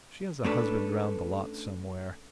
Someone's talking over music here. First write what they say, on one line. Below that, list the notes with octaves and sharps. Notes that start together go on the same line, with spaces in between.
She has a husband round the lot somewhere.
A3 C#4 D4 A4 B4